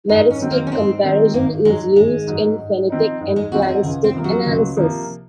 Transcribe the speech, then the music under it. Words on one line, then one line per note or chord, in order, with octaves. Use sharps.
Meristic comparison is used in phenetic and cladistic analysis.
G#2 D#4
C#4
D#3 F#3 C4
A#3
C#4
G#2 C4
D#3 F#3 C4
G#1 A#3
G#2 F#3 G#3
G#1 G#3
G#2 F#3
G#2
F3 C4 D#4
G#2
G#3
F3 C4 D#4 F#4
F#4
G#4
C#2 G#4
C4
C3 F3 A#3
F#3
C#2
C3 F3 A#3